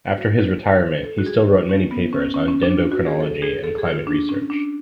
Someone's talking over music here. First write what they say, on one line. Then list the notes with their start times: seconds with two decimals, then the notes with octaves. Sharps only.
After his retirement, he still wrote many papers on dendrochronology and climate research.
0.18 F#4
0.39 B4
1.04 A4
1.18 F#4
1.26 G#4
1.47 F4
1.69 C#4
1.91 B3
2.13 C#4
2.34 C#4
2.48 C#4
2.63 D4
2.77 F4
2.92 F#4
3.06 G#4
3.20 A4
3.42 G#4
3.64 A4
3.78 G#4
3.92 F4
4.07 D4
4.29 C#4
4.50 D4